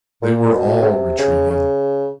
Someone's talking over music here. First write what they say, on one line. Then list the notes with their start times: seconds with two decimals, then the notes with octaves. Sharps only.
They were all retreating.
0.22 A#2
0.46 A#2
0.55 B2
0.82 C#3
0.87 C3
1.19 C#3
1.50 C#3